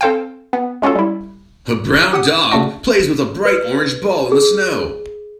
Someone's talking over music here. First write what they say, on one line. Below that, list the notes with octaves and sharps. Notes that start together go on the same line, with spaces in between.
A brown dog plays with a bright orange ball in the snow.
C4 A4 C5 F5 G5
B3
G#3 C#4 F4 F#4 A4
G3 E4
G4 F#5 D#6
C#3 A3 D4 F#4
B4
G#4